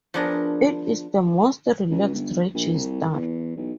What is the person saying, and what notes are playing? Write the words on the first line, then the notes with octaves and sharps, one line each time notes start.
It is the most relaxed register.
F3 B3 D4 G#4 A#4
C#2
G1
A#1
C2
E2
B1